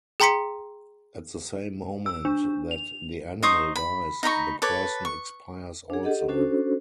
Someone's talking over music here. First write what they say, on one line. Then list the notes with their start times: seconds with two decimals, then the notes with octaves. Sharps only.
At the same moment that the animal dies the person expires also.
0.20 G#4 G5 A#5 C6 B6 C#7
2.06 E6
2.25 D4
2.71 F7
3.43 D#4 C5 C#6 D#6
3.76 B5
4.23 D#4 A#5 B5 C#6
4.62 A4 B4 C#5 D6
5.05 C#6
5.90 D4 G#4
6.03 G4 A4 D#5 F#5
6.28 C#4 D4 F#4 A4 C5